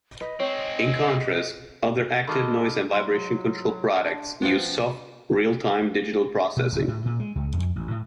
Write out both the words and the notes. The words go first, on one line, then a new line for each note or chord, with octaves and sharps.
In contrast, other active noise and vibration control products use soft real-time digital processing.
B4 D#5
G#3 C4 C#5
D#3 G#3 D#4 A4 B5 D6 F6
G#2 G3 C6
F#3
D4
F3 B3 C4 F4
B2
D1
A2
A#2
G#3
C#2
F2
A1
A2